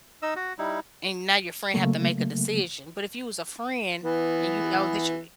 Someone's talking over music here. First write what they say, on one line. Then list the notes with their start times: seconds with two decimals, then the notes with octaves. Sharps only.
and now your friend have to make a decision, but if you was a friend and you know that, you
0.22 D#4 D#5 E6
0.36 F#4
0.58 G3 D#4 E4
1.74 C#3 F#3 A3 A#3
4.04 E3 B3